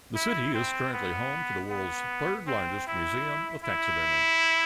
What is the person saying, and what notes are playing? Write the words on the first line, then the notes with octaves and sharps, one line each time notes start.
The city is currently home to the world's third largest museum of taxidermy.
E4
C4
B3
B3
C4
E4
E4